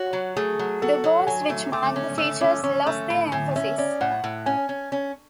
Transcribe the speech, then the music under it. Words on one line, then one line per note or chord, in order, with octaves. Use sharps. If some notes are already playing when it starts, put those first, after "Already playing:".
The bones which mark the features lose their emphasis.
Already playing: F#4 C#5
F#3
A3 G#4
F#3
F#4 A4
F#3
F#5
F#3 G#5
A3
A3 D6
C#4
A3 E6
C#4 D6
C#4 C#6
A3 C#6
A2 B5
A2 G#5
C#4 E5
C#4 D5
A2 F#5
A2
C#4 G#5
C#4
C#4